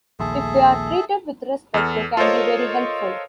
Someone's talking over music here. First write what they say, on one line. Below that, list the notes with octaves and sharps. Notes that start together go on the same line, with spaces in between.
If they are treated with respect, they can be very helpful.
A#1 D#2 G#4 A4 E5
E2 A4 F6
F4 A4 A#4 C5 C#5 D#5